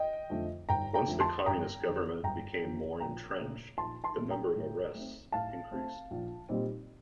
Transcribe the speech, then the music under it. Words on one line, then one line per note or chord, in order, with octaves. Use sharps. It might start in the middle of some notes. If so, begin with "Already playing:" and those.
Once the Communist government became more entrenched, the number of arrests increased.
Already playing: D#5 G5
F2 D3 A3
G1 G5 A#5
G5 A#5
F2 D3 A3
A5 C6
G1 G5 A#5
F2 D3
G1 G5 A#5
F2 D3
A#1 G5 A#5
A#2 A3 D4
A#1 A5 C6
A5 C6
A#2 A3 D4
G5 A#5
A2
A3 C4
A2 F5 A5
A3 C4
A#1
A#2 G3 C4 D#4